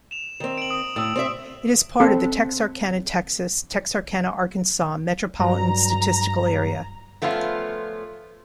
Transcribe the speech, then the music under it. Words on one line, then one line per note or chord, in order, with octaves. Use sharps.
It is part of the Texarkana, Texas - Texarkana, Arkansas Metropolitan Statistical Area.
E7 F7
D#3 C4
D7 F#7
D#6
A2 D#6 E6 F#7
C4 D5 E5
C4 A4
G2 F#3 A#5
F3 A3 B3 C#4 F4